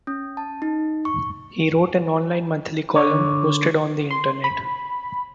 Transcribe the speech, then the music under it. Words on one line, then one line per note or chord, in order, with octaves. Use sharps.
He wrote an online monthly column posted on the Internet.
C#4
A5
D#4
C#6
D3 C#5
C6
B5